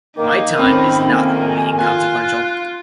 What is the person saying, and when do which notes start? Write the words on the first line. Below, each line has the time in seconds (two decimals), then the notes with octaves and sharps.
My time is not wholly inconsequential.
0.17 D#3 A#3 D#4 D6
0.59 F2 C3 D#3 C4 C#4 B5
1.10 A#3 G#5
1.79 F4 G#5 F#6